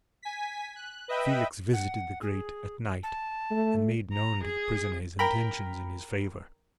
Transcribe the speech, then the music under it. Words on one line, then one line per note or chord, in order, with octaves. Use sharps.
Felix visited the grate at night and made known to the prisoner his intentions in his favour.
G#5 B6
F#6
B4 D#5 E5 G5 B5
F#5
G#4
A5
A3
A#5
G#4
A#4 G5 A#5 B5